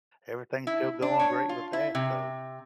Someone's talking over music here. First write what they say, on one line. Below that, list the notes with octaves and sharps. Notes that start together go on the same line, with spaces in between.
everything's still going great with that so
E4
D4
C#5
F4
E4
C3